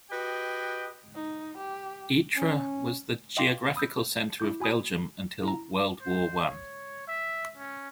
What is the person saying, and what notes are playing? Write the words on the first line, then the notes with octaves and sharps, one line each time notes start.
Ittre was the geographical center of Belgium until World War One.
F#4 G4 B4 D#5 G5
D#4
G4
C#4
D#5 F5 G5 C6 D6 A#6
B5 D#6 E6 G6
E4 D6 G6
F#4 G#5 B5 D#6
E4 A#5
C5
C#5
E5
C#4